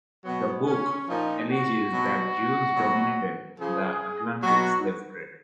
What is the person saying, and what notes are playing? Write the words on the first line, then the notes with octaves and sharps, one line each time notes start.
The book alleges that Jews dominated the Atlantic slave trade.
B2 F#3 B3
C#4
A#2 F3 D#4
F#4
B2 F#3
B2 F#3
C#3 F3 G#4
B2 F#3 F#4